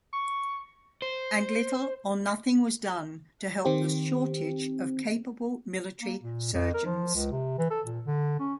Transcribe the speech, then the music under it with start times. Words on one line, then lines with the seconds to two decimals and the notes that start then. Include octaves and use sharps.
And little or nothing was done to help the shortage of capable military surgeons.
0.13 C#6
1.02 C5
3.65 D#3 C4 G4
6.01 A#3
6.22 A#2
6.53 F2
6.74 A#4
6.86 F3
7.15 C#2
7.32 C3
7.58 E3
7.70 A4
7.86 A#2
8.07 D3
8.39 C#4